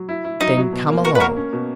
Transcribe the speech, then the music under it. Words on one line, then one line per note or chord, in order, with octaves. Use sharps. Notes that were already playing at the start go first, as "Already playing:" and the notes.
"Then come along."
Already playing: F#3
E4
E4
F#3 D#4
F#3
B2
A#3
A#3 F#4 A#4
B4
A#3 F#4 A#4
C#4
B2